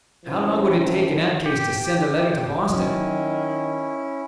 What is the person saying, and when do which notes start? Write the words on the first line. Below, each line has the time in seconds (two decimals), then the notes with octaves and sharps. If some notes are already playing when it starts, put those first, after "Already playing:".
How long would it take, in that case, to send a letter to Boston?
0.25 F#2 A2 C3 E3 F3
1.46 G4
2.70 D#3 F#3 C#4 E4